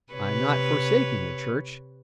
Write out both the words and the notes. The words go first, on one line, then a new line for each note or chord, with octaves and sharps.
I am not forsaking the Church.
C3 B4 C#5